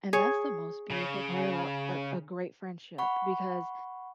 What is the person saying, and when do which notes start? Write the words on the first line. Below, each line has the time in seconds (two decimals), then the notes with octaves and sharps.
And that's the most beautiful part about a a great friendship, because
0.13 G#4 C#5
0.91 C#3
2.98 F#5 B5 C#6